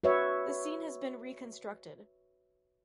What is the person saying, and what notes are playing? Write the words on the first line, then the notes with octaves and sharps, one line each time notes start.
The scene has been reconstructed.
F#4 B4 C#5 E5